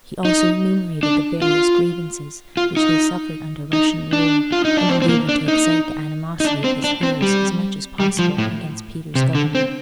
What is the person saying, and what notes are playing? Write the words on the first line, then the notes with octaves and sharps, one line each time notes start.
He also enumerated the various grievances which they suffered under Russian rule, and endeavored to excite the animosity of his hearers as much as possible against Peter's government.
D#4
D4
F4
F4
D#4
D#4
D4
F4
D#4
D4
C4
C4
A#3
D4
D#4
D#4
D4
C4
D4
C4
G3
G3
F3
A2
C3
D3
C4